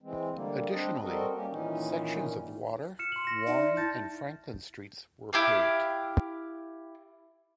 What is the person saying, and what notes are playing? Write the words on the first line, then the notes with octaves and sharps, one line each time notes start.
Additionally, sections of Water, Warren and Franklin Streets were paved.
E3 G#3 C4
D3 G3 A#3
G3 C4 D4 D#5
G3 C4 F#4 A4 A#4 D#5
G3 A#3 C#4 G4
A#2 D#3 E3 C#4 D#4
F6 C#7 E7
C6 F#7
A#6 E7
D#4 D5 E5
E4 A5 G6 A6 A#6
E4 G4 F5